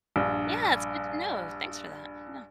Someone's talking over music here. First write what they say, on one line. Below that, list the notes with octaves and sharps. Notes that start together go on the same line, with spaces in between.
Yeah. It's good to know. Thanks for that. Yeah.
A#1 G2